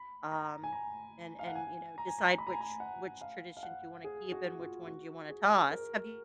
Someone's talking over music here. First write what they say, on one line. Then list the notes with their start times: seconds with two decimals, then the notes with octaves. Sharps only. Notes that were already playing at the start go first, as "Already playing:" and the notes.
um, and and, you know, decide which which traditions you wanna keep and which ones you wanna toss. Have you
Already playing: B5
0.32 A#5
0.64 G#5
0.73 A#5
1.39 F5
1.47 F#5
1.55 G#5
1.98 A#5
2.08 G#5
2.19 A#5
2.38 B5
2.47 A#5
2.53 G#5
2.61 A#5
2.80 F#5
3.21 F5
3.57 F5
3.63 F#5
4.04 G#4
4.32 F#4
4.59 F4
4.88 F#4
5.29 G#4
5.70 A#4